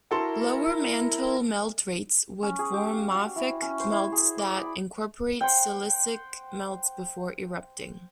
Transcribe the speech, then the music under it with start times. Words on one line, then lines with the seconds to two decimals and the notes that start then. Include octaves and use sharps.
Lower mantle melt rates would form mafic melts that incorporate silicic melts before erupting.
0.11 E4 F#4 A4 A#4 C6
2.43 C#4
2.59 G#4
2.74 G4
2.93 F5
3.15 F#4
3.36 E4
3.62 C#4
3.80 C5
3.92 E4
4.12 G#4
4.38 D5
4.61 B5
5.41 C5 F#5 G5